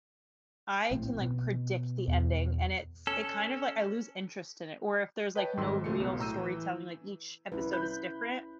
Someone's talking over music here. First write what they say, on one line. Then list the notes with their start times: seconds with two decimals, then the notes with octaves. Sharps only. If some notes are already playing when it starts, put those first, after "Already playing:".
I can, like, predict the ending, and it's it kinda, like I lose interest in it, or if there's, like, no real storytelling, like, each episode is different
0.91 A#1 A2 C4
1.18 B2
2.07 E2
3.07 C#4 A4
5.35 B4 C#5 D#5 G5 A5
5.57 G#1 F2 G#2 D#3 C6 E6
5.84 C#2 A#2 A3 G4 C6 C#7
6.00 B1 B2
6.20 A2 A#5 E6 G6 D#7
6.38 E3
7.52 C2 C#4 E4 B4
7.73 B5 F#6 G6